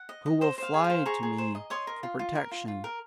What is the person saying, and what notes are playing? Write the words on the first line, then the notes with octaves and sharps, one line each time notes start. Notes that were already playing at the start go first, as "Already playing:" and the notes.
Who will fly to me for protection?
Already playing: F#5
D#5
D#5
C5 D#5
C5 F5
G#4
F5
C5
G#4 A#5 C#6
G#4
C5
D#5
C#5 C6 D#6
A#4
F4
F4
A#4
F4
F4
A#4